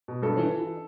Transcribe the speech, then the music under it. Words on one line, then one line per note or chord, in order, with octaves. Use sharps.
Thank you fo
B2
G2 A4
E3
E3